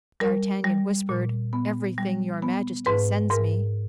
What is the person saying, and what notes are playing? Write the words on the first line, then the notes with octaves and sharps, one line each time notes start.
D'Artagnan whispered: "Everything your majesty sends me."
G3 A#4
G3
A#2
B3
G3
B3
G#2 B4
G#2 A#4